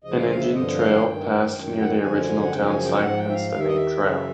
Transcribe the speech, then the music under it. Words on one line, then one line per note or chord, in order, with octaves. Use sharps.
An Indian trail passed near the original town site, hence the name Trail.
D2 C#3 F3 D#5
F5
E5
F5
E5
G2 D3 F3 D#5
F5
G#5
G2 D#3 G5
F#2 D#3
F#5
G5
F#2 D3 F3 G#5
F#5
F#2 C#3 F3 G5
G#5
G5
G#2 F3 F#5
G5
E5
F5
D#2 D#3 E5 F5
D#5
E5
F#2 C#3 E3